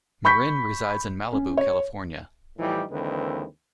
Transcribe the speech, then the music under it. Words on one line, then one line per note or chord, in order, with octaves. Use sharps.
Marin resides in Malibu, California.
B5 C#6 G6 B6
C#4
C#5
A2 E3 F3 G3 D#4 G4
D#2 D3 E3 G#3 C4 B4